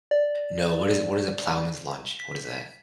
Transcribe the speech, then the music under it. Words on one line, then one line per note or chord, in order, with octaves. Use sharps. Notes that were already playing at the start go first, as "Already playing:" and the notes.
No, what is what is a ploughman's lunch? What is that?
D5
B6